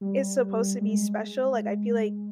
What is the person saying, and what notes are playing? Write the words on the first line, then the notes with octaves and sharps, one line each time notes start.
it's supposed to be special, like, I feel like
G3
G#3